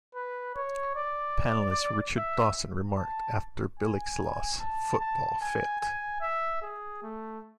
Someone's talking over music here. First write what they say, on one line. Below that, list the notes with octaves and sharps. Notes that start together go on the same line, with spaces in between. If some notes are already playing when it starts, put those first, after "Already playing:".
Panelist Richard Dawson remarked after Billick's loss: Football: Failed.
B4
C#5
D5
E5
A5
G#5
A5
A5
G#5
G#5
E5
G#4
A3